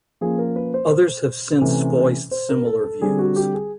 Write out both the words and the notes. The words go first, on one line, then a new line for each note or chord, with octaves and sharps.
Others have since voiced similar views.
F3 A#3 C#4 G#4
A#4
B4
C5
C3 E3 A3 C#4
C5
A#4
A4
A4
D3 G3 C4 G#4
F#4
G4
G#4